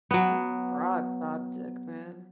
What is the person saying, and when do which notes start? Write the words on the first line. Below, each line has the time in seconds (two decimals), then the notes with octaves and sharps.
That's a broad subject, man.
0.11 F#3 B3